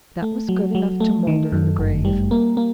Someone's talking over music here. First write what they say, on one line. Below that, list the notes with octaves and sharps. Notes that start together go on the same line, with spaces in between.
That was good enough to moulder in the grave.
A3
F#3
F#3
A3
D#3
F#2
G1
G3
A#3
A#3